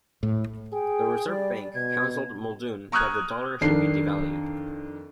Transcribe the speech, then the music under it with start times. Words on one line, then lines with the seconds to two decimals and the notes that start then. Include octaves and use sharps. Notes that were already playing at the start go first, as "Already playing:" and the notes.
The Reserve Bank counselled Muldoon that the dollar should be devalued.
0.23 A2
0.73 G#4 G5
1.27 G3 D5
1.75 B2 G#6
2.92 A#5 C#6 D#6 F6 F#6 G#6
3.61 F2 D#3 D4 C7